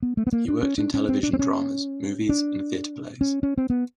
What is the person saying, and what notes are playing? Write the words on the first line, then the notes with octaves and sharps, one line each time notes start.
He worked in television dramas, movies and theatre plays.
B3
A3
B3
A#3
D4
C#4
D4
C#4
C4
D4
C4
C#4
D4
C#4
C#4
C4
B3